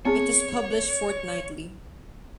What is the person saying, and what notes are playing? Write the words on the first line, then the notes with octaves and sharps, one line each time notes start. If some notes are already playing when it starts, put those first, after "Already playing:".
It is published fortnightly.
B3 C4 G#4 C#5